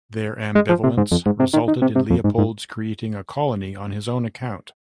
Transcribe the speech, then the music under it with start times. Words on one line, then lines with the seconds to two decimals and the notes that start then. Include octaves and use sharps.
Their ambivalence resulted in Leopold's creating a colony on his own account.
0.55 G#3
0.69 F3
0.83 C3
0.97 G#2
1.11 F2
1.26 G#2
1.40 C3
1.53 D#3
1.68 D#3
1.82 C3
1.95 C3
2.10 F2
2.24 G#2
2.38 G#2